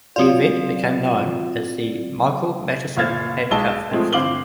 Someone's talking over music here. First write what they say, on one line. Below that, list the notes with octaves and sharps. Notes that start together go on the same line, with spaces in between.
The event became known as the "Michael Matteson Handcuff Incident".
F#3 C4 F4 D5
F#1 A#2 F5 F6 G#6 A6
B1 G#3 A5 G7
F3 G#3 A3 C4
G1 C4 F5 D6 F#7 G7